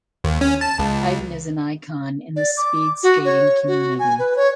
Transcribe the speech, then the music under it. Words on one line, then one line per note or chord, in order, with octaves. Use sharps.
Heiden is an icon in the speed skating community.
D#2
C#4
A5
C#2
D5
D6
F#4
C#5
F#4
G#5
B4
C#5